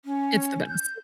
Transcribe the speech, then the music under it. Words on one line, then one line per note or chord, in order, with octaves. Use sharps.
It's the best.
C#4
G6